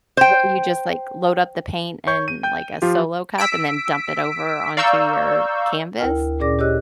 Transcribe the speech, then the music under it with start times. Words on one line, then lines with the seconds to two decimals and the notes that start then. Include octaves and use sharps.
where you just, like, load up the paint in, like, a solo cup and then dump it over onto your canvas
0.17 C5 G5
2.07 C#5 C#6 G6
2.28 D#7
2.43 G5 G6
2.82 F3 F4 G4
3.38 E6 B6 D7
4.77 D5 F5 A#5 C#6 E6 G6
5.99 D2 E4 A#4 G5 F6
6.40 A#2 C#4 G#4 D5 D6 A#6
6.59 G4 C#5 D#5 E6 F#6